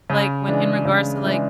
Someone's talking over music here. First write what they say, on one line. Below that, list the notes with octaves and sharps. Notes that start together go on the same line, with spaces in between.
like, when in regards to, like,
C#3
E3 G#3 D4
C#3
E3 G#3 D4